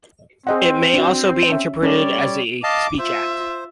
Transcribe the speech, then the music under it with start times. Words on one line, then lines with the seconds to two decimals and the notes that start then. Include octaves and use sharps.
It may also be interpreted as a speech act.
0.47 C4 G#4 D#5 F#5
0.94 D4 F#4
1.49 C#4 E5
1.83 G3 C#4 A4 C#5 D5
2.63 D#5 F5 A5 D6
2.99 F4 C5 E5